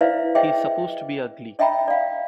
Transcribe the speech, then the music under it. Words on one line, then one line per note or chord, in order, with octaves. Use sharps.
He's supposed to be ugly.
E4 B4 C5 D5 E5 F5
G#4 C5 C#5 D#5 E5 G5
C#5 D#5 E5 G5 A#5 B5
D5 F5